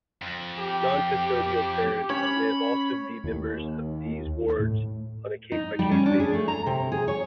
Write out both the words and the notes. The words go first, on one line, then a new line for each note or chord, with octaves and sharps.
Non-custodial parents may also be members of these wards on a case-by-case basis.
F2
G4
C#4 C#5 B5
D#2
A2
D#4
G3
C#4
D4
G#4
A3
A#5
C3
G#4
C#5